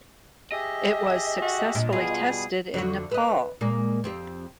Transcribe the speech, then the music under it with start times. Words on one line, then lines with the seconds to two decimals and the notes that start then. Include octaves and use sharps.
It was successfully tested in Nepal.
0.52 G4 G#4 D#5 E5
1.42 F#4
1.75 A#2 D4
1.93 B2 G3 B3 F4 G#4
2.74 F2 D3 F#4
3.11 B4 D#5
3.61 A#2 G#3 A#3
4.04 F2 C4 G4